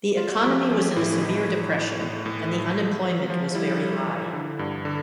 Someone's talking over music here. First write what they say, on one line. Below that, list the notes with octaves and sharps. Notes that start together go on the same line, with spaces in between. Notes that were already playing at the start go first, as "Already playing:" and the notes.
The economy was in a severe depression and the unemployment was very high.
F4
F#4
F3 G4
F3 G#4
A2 E4
E3 D#4
A2
E3
A2
A2
F#3
F3
F3
F3
G3 E4
G3
E3
D3
G2
D3